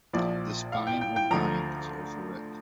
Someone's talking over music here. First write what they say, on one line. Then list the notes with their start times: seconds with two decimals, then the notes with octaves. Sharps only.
The spine or bind is also red.
0.13 A#1 A#2 F3 D5
0.72 F5
0.87 G5
1.01 G5
1.16 G5
1.31 D2 D3 F3 A#5